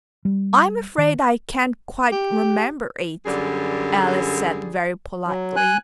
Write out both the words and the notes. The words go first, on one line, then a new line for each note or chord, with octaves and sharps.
'I'm afraid I can't quite remember it,' Alice said very politely.
G3
D#3
G4
F#2 D3 G3 G#4
F#3
G#5 F#6